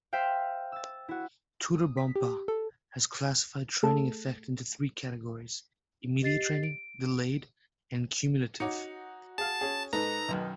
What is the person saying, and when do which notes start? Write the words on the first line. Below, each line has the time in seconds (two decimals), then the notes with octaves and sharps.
Tudor Bompa has classified training effect into three categories: immediate training, delayed, and cumulative.
0.13 C5 E5 F5 G5
0.72 E6 A6
1.09 E4 F#4
1.78 D#6
1.97 B6
2.16 G4
2.48 A4
3.83 A3 G#4 A4 A5
6.22 G4 D#5 A6 C7
6.63 D7
8.60 D#4 F#4 C#5 D6 C#7
9.38 G#4 F5 A5
9.61 C#4 G#4
9.93 G#2 D#4 A4 B4 A#5
10.28 B1 F#2 D#3